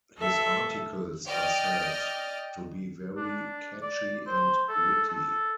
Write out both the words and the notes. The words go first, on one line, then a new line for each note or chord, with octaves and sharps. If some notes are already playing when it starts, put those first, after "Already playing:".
His articles are said to be very catchy and witty.
A4 E5
D5 D#5 G5 F6
D4
D5
C5
A4
A4